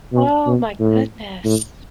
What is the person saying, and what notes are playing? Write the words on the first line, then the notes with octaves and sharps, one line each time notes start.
Oh, my goodness.
B2
B2
A2
A2